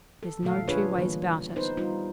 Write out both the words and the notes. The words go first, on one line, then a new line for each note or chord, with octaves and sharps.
There's no two ways about it.'
A4
A#2 D3 F3 A3 A4 F5
D4 F4 G#4 B4 C#5
D3 E3 G3 A#3
B3 D#4 B4 C5
G3 D#4 F4